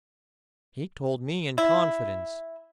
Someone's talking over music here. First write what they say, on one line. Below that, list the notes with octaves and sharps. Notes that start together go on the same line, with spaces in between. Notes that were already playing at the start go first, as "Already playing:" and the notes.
"He told me in confidence."
E4